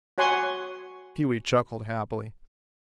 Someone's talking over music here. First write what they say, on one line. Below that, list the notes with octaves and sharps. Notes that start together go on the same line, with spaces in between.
Pewee chuckled happily.
F#4 C#5 F#5 G#5 C6 C#6